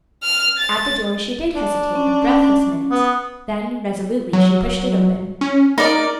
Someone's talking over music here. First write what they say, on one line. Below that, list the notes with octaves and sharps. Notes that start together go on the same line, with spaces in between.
At the door she did hesitate a breathless minute, then, resolutely, she pushed it open.
F6
A6
D4
C#4
B3 D#6
F#3
C#4
D#4 A#4 D5